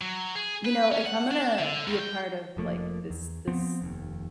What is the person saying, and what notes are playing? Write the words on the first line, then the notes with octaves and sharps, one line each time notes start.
you know, if I'm gonna be a part of, like, this this
F#3
G#4
B4
C#4
F#5
D4
D3
D#2
G5
F1 F3 A3 A#3
E2
F3 B3 C4
F1 D#2